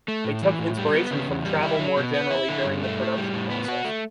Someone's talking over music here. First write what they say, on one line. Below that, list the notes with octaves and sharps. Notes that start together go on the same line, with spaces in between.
They took inspiration from travel more generally during the production process.
A3
A2
E3
A2
G3
B3
C#3
E2
G3
E4
F#3
B2
B3
E4
D3
G2
A3
A2
G3
A2
B3
F#4
A3